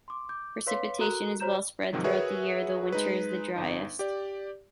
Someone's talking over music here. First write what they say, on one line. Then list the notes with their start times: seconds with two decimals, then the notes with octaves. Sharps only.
Precipitation is well-spread throughout the year, though winter is the driest.
0.08 C6 D6
0.29 D6 G6
0.67 B4 C#5 F5 C6 D6 B6
0.99 F#4 A4 A#4 A#5 F#6
1.40 F#4 C5 C#5 A#5 G6 E7
1.93 G#2 C3 D#3 F3 F#3
2.04 F#4 G#4 A#4 B4 C#5 E5
2.92 G#3 D#4 B4
3.56 G1 D#4
3.99 G4 D5